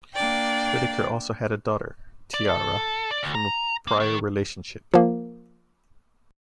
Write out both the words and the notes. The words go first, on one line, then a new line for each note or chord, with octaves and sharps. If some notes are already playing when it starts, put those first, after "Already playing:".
Whitaker also had a daughter, Tiara, from a prior relationship.
A#3 D4 D5 G5
D5
A4
D5
D2
A#5
A#3
D#3
F3 A#3